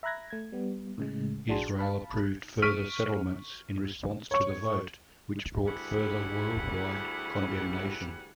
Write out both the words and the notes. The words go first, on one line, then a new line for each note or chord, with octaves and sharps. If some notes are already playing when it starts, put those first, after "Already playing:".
Israel approved further settlements in response to the vote, which brought further worldwide condemnation.
E5 A#5 B5 F#6 G#6 A#6
A3 G#6
G3 B3
A2 C#3 G#3
A#1 D4 F#4 G#4 A5 C6
F5 A5 B5
C#6 F6 B6 D7 D#7
C#5 C#6
D2 G3 E4 G4 G#4 F#5